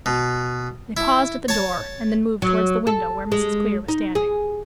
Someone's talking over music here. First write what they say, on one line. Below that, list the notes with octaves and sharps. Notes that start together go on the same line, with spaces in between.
They paused at the door, and then moved towards the window where Mrs. Clear was standing.
B2
E4
C#5 A5
F#3
A4
G#3
D#4
G#4